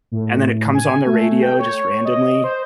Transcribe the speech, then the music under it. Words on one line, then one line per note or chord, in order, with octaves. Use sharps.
and then it comes on the radio, just randomly.
A2
G#5
A3
G5
C#5
D#5
C5